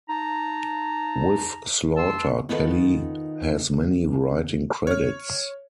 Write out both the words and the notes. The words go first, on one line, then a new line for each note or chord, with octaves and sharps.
With Slaughter, Kelly has many writing credits.
D#4 A5 A#5
A5 C6 E6
D#3 B3 D#4 F4 A4 B4
C#5 F6